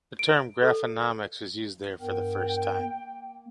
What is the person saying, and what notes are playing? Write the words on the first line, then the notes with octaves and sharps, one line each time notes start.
The term 'graphonomics' was used there for the first time.
D7
A4
G2 B3 A#4 G5
A#3